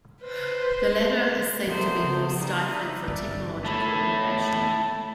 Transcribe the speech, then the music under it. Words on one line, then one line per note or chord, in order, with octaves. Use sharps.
The latter is seen to be more stifling for technological innovation.
B4 C5
C3 F3 A3 B3 A#4 C5
C#3 F3
G3 D#4
E5
G1 D5 E5
A3 E4